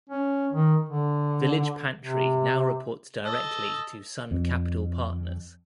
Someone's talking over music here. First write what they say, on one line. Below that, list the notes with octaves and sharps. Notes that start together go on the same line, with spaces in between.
Village Pantry now reports directly to Sun Capital Partners.
C#4
D#3
D3
C3
A4 D#5
F2